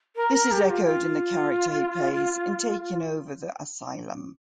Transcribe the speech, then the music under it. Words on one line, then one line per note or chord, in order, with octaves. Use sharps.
This is echoed in the character he plays in "Takin' Over the Asylum".
A#4
A#4
G4
F4
F4